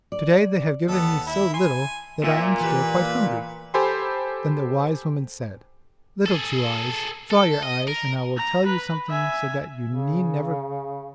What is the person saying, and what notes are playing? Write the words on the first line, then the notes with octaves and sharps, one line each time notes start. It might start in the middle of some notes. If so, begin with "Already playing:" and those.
To-day they have given me so little that I am still quite hungry.' Then the wise woman said, 'Little Two-eyes, dry your eyes, and I will tell you something so that you need never be hungry again.
D5
D#2 B3 A4
E4
G#5 C6
A#2 E5
E3 G4 B4
G4 A4 C5 G#5 B5 C6
G#4 A4
A4
D#5
A#4
A#5
B4
E5 G#5
C#3